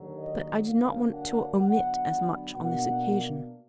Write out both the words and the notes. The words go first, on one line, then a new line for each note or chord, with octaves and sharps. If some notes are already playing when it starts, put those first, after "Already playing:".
But I did not want to omit as much on this occasion.
Already playing: D#2 D3 F#3
D#5
D3 F#3 A#3 D4 F5
F#5
D3 F#3 B3 D4 F#5
B2 A#3 D4 F#5